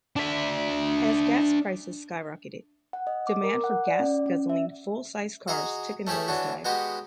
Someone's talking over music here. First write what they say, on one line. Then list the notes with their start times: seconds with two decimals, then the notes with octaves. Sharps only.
As gas prices skyrocketed, demand for gas-guzzling full-sized cars took a nosedive.
0.16 D4 E5
2.93 F#5
3.07 D#5
3.27 D6
3.43 A#4
3.64 F#5
3.87 D5
4.00 C#4
4.26 C#4
4.49 E5
5.48 F#4 G#4 D#5 A#5
6.07 A3 C#4 G4 G#4 E5
6.28 E3 C#4 D4 F#4
6.65 G#3 B3 F#4 G4 D#5